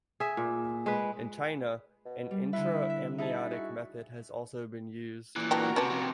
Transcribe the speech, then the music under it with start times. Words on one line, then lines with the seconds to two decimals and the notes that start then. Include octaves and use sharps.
In China, an intra-amniotic method has also been used.
0.20 G#4 E5
0.37 A#2
0.86 G#3 B4
2.05 B2
2.31 G3
2.53 D3 E4 B4
2.90 E5
3.18 D#4 E4 G#4 A5
3.51 F#4
5.36 A#2 E3
5.51 B3 D4 F#4 G4 A#4 A#5
5.76 C3 C#4 B4 A5
5.90 F2 C3